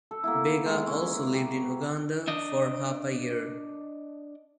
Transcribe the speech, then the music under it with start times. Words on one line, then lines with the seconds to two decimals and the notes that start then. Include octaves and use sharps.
Bega also lived in Uganda for half a year.
0.11 A4
0.24 A#3 B3 E4
0.66 G#3
0.88 C#4
1.33 G4
2.27 D4 D#5